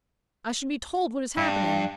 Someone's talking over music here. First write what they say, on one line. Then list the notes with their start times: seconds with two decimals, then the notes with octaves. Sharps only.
"I should be told what is happening."
1.37 G2